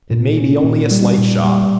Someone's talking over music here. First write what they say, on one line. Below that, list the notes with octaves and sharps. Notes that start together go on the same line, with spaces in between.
"It may be only a slight shock."
A#2
C#4
A#2
G3
A#2
G3